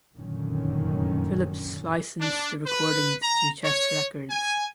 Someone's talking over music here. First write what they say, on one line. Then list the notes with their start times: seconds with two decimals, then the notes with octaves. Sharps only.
Phillips licensed the recordings to Chess Records.
0.16 F1 F#2 A#2 D3 D#3 C#4
2.20 D4
2.66 B4
3.21 A#5
3.63 C#5
4.29 G#5